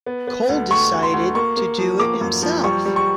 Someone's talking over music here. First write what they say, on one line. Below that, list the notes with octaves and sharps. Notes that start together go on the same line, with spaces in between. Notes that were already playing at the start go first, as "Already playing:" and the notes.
Cole decided to do it himself.
B3
B3
D2
D2 C#6
D2
C6
D2
A#3 C#6
A#3
F3
A#3 D6
F#2
F3
G3 C#6
G3
C#6